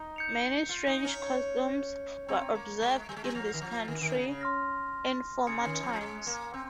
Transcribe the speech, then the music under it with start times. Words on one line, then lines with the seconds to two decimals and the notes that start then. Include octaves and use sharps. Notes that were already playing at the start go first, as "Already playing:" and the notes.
Many strange customs were observed in this country in former times.
Already playing: D#4
0.16 G6 C#7 F7
0.69 F4
0.87 D#4
1.05 C#4
1.23 C#6 G#6 C#7
2.28 C4 A#5 C#6 G#6 C#7 F7
2.55 A#3
2.82 G#3
3.09 G3
3.16 G#3
3.24 G3
3.35 F3 F6 A#6 F7
3.53 D#3
3.62 F3
3.88 D#3
4.01 D#3
4.15 C#3
4.28 C#3
4.41 C6 F6 A#6
5.47 C#3 G#5 C6 D#6 G#6 C#7
5.65 D#3
5.83 F3
6.01 G#3
6.27 A#3
6.53 C4 C6 G6